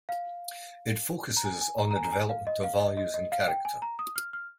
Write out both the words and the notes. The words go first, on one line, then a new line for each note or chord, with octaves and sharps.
It focuses on the development of values and character.
F5
A#5
G#5
G#5
A#5
A#5
G#5
A#5
G#5
F5
D#5
F5
D#5
D#5
D#5
F5
G5
G#5
A#5
D#6
F6
F6